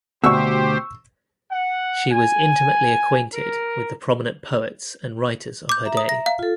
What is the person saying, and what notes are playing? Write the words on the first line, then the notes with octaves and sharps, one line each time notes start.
She was intimately acquainted with the prominent poets and writers of her day.
D2 B2 G4 C5 C#6 E6
F#5
G#5
A#4
D6 G6
E5 A#5
D#6
A#6
F5
F4 A4